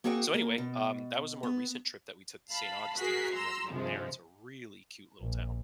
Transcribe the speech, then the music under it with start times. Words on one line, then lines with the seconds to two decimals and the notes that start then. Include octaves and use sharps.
so, anyway, um, that was a more recent trip that we took to Saint Augustine, if you've never been there, it's a really cute little town.
0.04 A#3 C4 F#4 G#4 F#5 G5
0.34 A#3
0.58 B2
1.43 B3
2.50 F5 A5 B5
2.97 F#4 G#4 A#4 F#6 B6 C7
3.33 A#5 C6 E6
3.70 G2 C3 D#3 F3 G#3
5.21 A#1